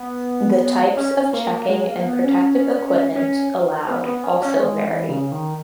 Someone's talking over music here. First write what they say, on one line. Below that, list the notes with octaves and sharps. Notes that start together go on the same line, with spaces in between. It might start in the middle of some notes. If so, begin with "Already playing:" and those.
The types of checking and protective equipment allowed also vary.
Already playing: B3
C#4
A#3
G#3
A#3
B3
C#4
C#4
B3
B3
C#4
C#4
G#3
E3
C#3
D#3